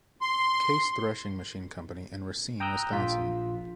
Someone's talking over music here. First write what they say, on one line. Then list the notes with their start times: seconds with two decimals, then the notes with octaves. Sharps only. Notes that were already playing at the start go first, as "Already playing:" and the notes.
Case Threshing Machine Company in Racine, Wisconsin.
0.22 C6
2.60 G5 A#5 D#6 E6 F#6 G6
2.92 A#1 F4 B6